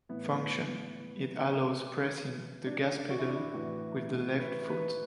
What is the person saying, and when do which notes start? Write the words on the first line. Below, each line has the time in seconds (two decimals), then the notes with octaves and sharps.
Function: it allows pressing the gas pedal with the left foot.
0.09 A2 E3 B3
2.67 D4
3.10 F#4
3.19 E4
3.28 D4
3.36 E4
3.53 A2 E3 F#4
4.39 B4
4.68 B4